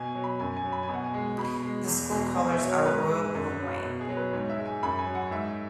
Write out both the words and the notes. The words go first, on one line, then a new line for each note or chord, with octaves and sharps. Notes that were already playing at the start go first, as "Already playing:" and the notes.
The school colors are royal blue and white.
Already playing: B2 G#5
F#3
B5
F#2 G#5
G#5
F#3
B5
G#5
B2
F#5
G#5
G#3
B2 B5
G#3
E2
B2 G#3
B2 G#5
E5
F#3
C#5
G#2 B4
G#3
F#2
F#3
B2
G#4
F#3
B4
G#2 C#5
E5
G#3
G#5
F#2 B5
G#5
F#3
F#5
G#2 E5